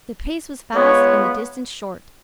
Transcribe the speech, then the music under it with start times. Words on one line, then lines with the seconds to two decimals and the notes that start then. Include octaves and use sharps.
The pace was fast and the distance short.
0.74 G#3 B3 F4 C#5